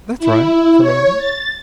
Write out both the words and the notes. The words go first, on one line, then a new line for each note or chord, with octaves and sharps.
"That's right," from Andy.
E4
C#5
A6